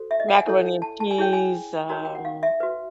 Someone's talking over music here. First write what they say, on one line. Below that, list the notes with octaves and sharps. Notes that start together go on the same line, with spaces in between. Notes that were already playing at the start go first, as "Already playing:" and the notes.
Macaroni and cheese, um
Already playing: F#4 A4 C5
E5
D#5
F#5
G#5
E4 A4 C#5
A5
A5
G#5
E4 G#4 C#5 G5
G#5
D#4 F#4 A#4 C#5 A#5
G5
F#5
F5
E5
F#4 B4